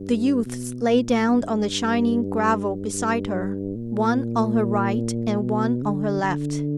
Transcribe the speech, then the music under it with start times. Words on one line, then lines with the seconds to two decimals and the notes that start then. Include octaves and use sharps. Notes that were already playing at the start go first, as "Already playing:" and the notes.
The youths lay down on the shining gravel beside her, one on her right and one on her left.
Already playing: G2
0.45 B2
0.86 A#2
1.28 G2
2.93 G2
3.75 A#2
5.40 B2
5.82 D3
6.23 D3